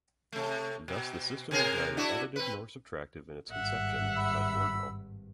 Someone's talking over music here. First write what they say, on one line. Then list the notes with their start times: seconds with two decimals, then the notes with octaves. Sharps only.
Thus the system was neither additive nor subtractive in its conception, but "ordinal".
0.32 C3 A3
0.88 B2
1.51 C3 G#4 A#4
1.97 D4 E4 F#4
2.36 C4 B4
3.51 G#1 G2 E5 F#5
4.17 B5 E6